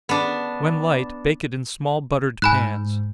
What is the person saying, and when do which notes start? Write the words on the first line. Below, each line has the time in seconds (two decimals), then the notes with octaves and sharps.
When light, bake it in small buttered pans.
0.09 B3 D4
2.42 G#2 G#5 B5 F#6